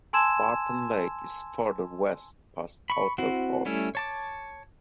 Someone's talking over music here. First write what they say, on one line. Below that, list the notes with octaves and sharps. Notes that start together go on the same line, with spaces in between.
Marten Lake is further west past Otter Falls.
G#5 A5 C6 E6 G#6 E7
B5 C#6
C4 E4 F#4
G3 A3 C#4 E4
C#5 A5 D6